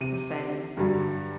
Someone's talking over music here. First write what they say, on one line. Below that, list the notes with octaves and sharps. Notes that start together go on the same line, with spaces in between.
it's funny.
C3 D#7
G2 D3 F#3 G3